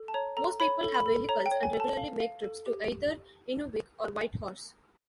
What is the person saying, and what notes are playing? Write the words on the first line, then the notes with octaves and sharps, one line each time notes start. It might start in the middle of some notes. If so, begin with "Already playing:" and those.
Most people have vehicles and regularly make trips to either Inuvik, or Whitehorse.
Already playing: A4
A5
C#5 A#5
A4 A#5
C#5 B5
A4
B5
A4
C#5 A#5
G5
C#5
G#5
A4
A5
F5
F5
A4
G4